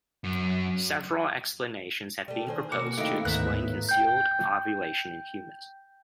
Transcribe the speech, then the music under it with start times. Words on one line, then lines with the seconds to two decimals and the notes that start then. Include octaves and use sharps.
Several explanations have been proposed to explain concealed ovulation in humans.
0.24 F#2
2.28 G3 A3
2.47 D#3 G#4 C5
2.72 B2 A#3 F#4 D6
2.98 A2 C3 D#3 D#4 E4 A#4 D#5 F5
3.25 D2 G#2 D#3 B3 D#4 A#4 E5 F#6
3.89 G5 G6